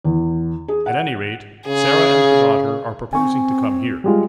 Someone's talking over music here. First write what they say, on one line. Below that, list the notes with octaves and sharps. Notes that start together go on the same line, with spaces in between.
"At any rate, Sarah and her daughter are proposing to come here."
E2
G#4
F#5
C#3 G#4
C4 G#5 C#6
G3 G#3 F4